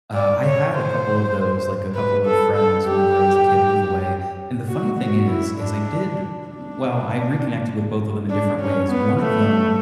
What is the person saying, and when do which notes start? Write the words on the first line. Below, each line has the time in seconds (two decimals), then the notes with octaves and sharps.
uh, I had a couple of those like, a couple of friends whenever I was a kid move away, and the funny thing is, is I did well, I reconnected with both of them in different ways, one of them
0.14 D5
0.44 C#5
0.75 C5
1.95 B4
2.26 A4
2.56 A4
2.86 G4
4.68 F#4
4.98 F#4
5.28 E4
5.58 D4
6.49 D4
8.30 D4
8.60 C#4
8.90 B3
9.20 A3